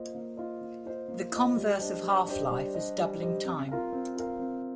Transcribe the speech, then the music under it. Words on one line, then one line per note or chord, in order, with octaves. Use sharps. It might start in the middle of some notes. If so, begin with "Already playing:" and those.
The converse of half-life is doubling time.
Already playing: A#3 F4 C5 D#5
A#3
F4 C5 D#5
A#3
F4 C5 D#5
A#3
F4 C5 D#5
G3
D4 G4 C5 D#5
G3
D4 G4 C5 D#5
G3
D4 G4 C5 D#5
G3
D4 G4 C5 D#5
C4
F4 A#4 F5
C4
F4 A#4 F5
C4